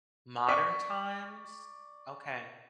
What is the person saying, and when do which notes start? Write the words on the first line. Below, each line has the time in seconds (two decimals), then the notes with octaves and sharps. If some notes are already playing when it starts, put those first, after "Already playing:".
modern times? Okay.
0.48 D5 C#6 D6 B6